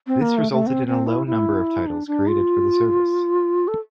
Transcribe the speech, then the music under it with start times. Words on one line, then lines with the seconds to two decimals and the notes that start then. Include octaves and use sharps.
This resulted in a low number of titles created for the service.
0.07 C4
0.21 A#3
0.37 A3
0.52 A3
0.67 C4
0.87 C4
1.07 E4
1.27 E4
1.87 D4
2.07 D4
2.27 F4
3.68 A4